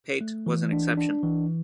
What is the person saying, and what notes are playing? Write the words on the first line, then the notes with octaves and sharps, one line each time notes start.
Paete was an exception.
A3
E3
D4
D4
E3